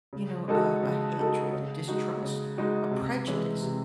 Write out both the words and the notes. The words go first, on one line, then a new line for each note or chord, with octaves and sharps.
you know, a a hatred, a distrust, a prejudice,
C#3
G#3 D#4 F#4 A4
C#3
G#3 D#4 F#4 A4
C#3
G#3 D#4 F#4
C#3
G#3 D#4 F#4
C3
E3 G#3 C#4
C3